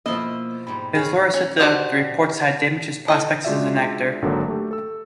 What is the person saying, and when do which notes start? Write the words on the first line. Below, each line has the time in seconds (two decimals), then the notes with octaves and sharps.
His lawyer said the reports had "damaged his prospects as an actor".
0.06 B2 F3 A#3 E4 D#5 E6
0.67 G#2 G3 B5
0.95 G#4 C#5 F5
1.34 C#4
1.59 D4 F#4 G4 C5 D#5
3.08 E3 A4 D#5
3.45 G#3 D4 F4 F#4 D5 E5
4.22 G#1 D3 F#3 A#3
4.48 A3 G4 A4
4.71 A4 E6